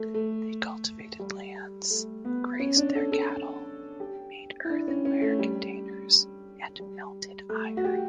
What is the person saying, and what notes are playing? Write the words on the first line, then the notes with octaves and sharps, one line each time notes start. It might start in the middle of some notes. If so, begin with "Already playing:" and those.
They cultivated lands, grazed their cattle, made earthenware containers and melted iron.
Already playing: A3
A3
G3
A3
B3
C#4
D4
A4
A4
G4
E4
D4
C#4
C#4
A3
G3
G3
A3
F#4
G4